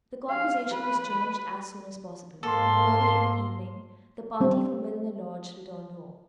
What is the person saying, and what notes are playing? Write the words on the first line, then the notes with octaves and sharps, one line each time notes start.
The conversation was changed as soon as possible, and early in the evening the party from Milner Lodge returned home.
F5
B4
G#2 A#3 A4 C6
G3 C4